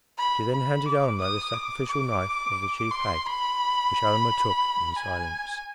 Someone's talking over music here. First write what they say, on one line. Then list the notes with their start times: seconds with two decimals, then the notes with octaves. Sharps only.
She then handed Almah the sacrificial knife of the Chief Hag, which Almah took in silence.
0.18 B5
0.52 B5
0.86 D6
1.20 D#6
1.54 D6
1.88 D6
2.91 C6
3.25 B5
4.96 G#5